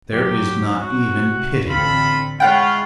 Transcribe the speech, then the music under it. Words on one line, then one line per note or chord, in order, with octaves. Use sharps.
There is not even pity.
F#3 G4
F#4
C3
A1 D3 C4 F4 A4 B5
G#3 E4 F4 C#5 F#5 G5